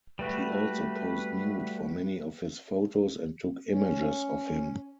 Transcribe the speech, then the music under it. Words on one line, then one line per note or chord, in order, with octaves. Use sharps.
She also posed nude for many of his photos and took images of him.
G3 A3 F#4 B4
C#4